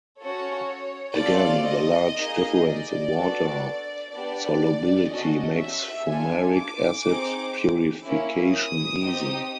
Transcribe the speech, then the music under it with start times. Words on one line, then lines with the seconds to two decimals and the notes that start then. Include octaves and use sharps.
Again, the large difference in water solubility makes fumaric acid purification easy.
0.20 C#4 F#4 A4 C#5
1.17 A3 C4 F4 A4 D5
1.67 D#5
2.16 A#3 D#4 G#4
2.65 D5
3.14 B3 D4 F#4 A4
4.12 B3 D4 G4 D5
5.10 C#4 F#4 A4 D#5
5.59 E5
6.08 D4 F4 A4 G#5
6.57 D6
7.06 C4 D#4 G#4
8.04 A#3 C#4 E4
8.53 D#6
9.03 C4 D#4 G4